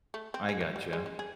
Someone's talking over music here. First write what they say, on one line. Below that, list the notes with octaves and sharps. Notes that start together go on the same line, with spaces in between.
I gotcha.
A3
C4
G#4
E3
G3
G#3
C#4
G#4